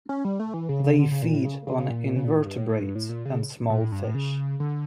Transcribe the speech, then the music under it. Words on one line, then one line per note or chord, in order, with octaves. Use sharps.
They feed on invertebrates and small fish.
C#4
G3
A3
E3
C#3
C#3
D3
C#3
A#2
A2
C#3
C#3
C#3
A#2
C#3
A#2
A2
G2
A2
A2
G2
A2
A#2
C#3
A#2
A2
G2
A2
C#3
D3